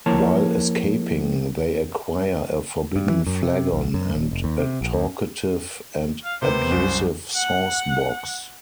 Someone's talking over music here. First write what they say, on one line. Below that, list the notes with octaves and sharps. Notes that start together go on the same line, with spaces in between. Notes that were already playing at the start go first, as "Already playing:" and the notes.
While escaping, they acquire a Forbidden Flagon and a talkative and abusive Sauce Box.
F3 A#3 E4 A#4 C#5 A5
G2
E3
F#2
C3
B1
F#2
D#1
F1
D#2
C3
A#1
D2
F5
C3 A#3 B3 C5
C2 F#2
F#5